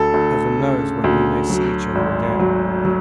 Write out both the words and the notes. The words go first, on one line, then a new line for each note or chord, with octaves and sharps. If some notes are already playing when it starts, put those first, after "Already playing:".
Heaven knows when we may see each other again.
Already playing: D2 A4
D2
C#3
D2
F#3
G#1
F#3
F#3